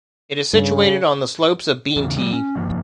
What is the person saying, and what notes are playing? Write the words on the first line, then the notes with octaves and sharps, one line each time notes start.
It is situated on the slopes of Beentee.
G2 C#3
E2 C#3 E3 C#4
F#3 G#3
C#4
F#1 G2 F3 A#3